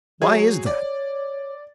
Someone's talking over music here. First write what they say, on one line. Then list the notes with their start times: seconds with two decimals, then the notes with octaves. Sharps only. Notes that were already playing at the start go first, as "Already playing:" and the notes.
Why is that?
0.21 F#3 G#4 C#5
0.66 C#5 D5